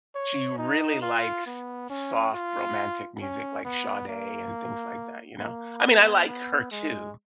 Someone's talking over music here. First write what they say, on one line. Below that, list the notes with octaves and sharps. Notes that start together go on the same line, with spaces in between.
she really likes soft, romantic music like Sade and things like that, you know. I mean, I like her too,
C#5
D#4
F4
B3
C#4
F4
C#4
B3
A#3
A#3
B3
B3
G#3